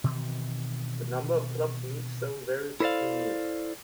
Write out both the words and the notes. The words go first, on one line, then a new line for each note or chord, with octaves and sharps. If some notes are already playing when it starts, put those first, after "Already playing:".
The number of clubs in each zone varies between years.
B2 D#3 E3 C4
E4 A4 B4 C5 D5 F5